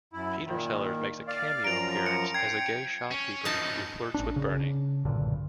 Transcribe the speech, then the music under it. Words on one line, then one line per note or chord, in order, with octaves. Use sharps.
Peter Sellers makes a cameo appearance as a gay shopkeeper who flirts with Bernie.
F#2 E4
A#2 D#3
D5 F5
F#2 F3 A#5 D7 F7
C#7
G5 G#6 C7
C#4
F#2 F3 D#4 A5
A1 D4
C#3
B1 G2 A#2 D3